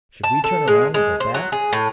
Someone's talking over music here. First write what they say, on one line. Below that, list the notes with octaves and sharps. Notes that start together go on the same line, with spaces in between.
Should we turn around and go back?
A5
A4
G#3
G#3
C5
F#3
G#4
A2